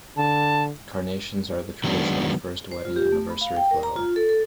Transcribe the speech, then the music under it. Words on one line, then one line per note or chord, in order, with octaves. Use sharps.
Carnations are the traditional first wedding anniversary flower.
D3 A5
D#3 F#3 G#3 B3 D4
C5
F4
G4
A3
B5
F5
G5
A#4
A#5
F4
A4
A4